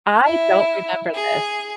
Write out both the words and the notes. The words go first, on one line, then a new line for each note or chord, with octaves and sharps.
I don't remember this
E4
G#4